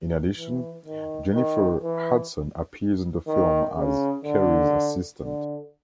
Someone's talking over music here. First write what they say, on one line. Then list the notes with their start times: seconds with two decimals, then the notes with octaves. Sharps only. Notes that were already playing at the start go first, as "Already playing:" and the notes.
In addition, Jennifer Hudson appears in the film as Carrie's assistant.
0.37 E3
0.85 D#3
1.34 D#3
1.82 E3
3.27 D#3
3.76 C#3
4.24 D3
5.21 D3